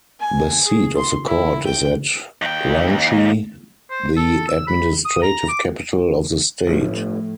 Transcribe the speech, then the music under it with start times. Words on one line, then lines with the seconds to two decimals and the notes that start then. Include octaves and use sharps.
The seat of the court is at Ranchi, the administrative capital of the state.
0.20 G#5
0.65 G#4
0.97 C6
1.26 E4
1.66 G5
2.42 D#2 G5
3.91 C5
4.16 A4
4.48 E6
4.68 B5
5.05 D#6
5.22 A#5
5.49 D6
6.67 G1 A2 F3 A3